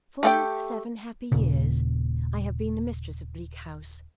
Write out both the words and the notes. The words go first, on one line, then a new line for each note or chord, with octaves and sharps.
Full seven happy years I have been the mistress of Bleak House.
A3 G4 A4 C5 G5
D#1 A#2 C#3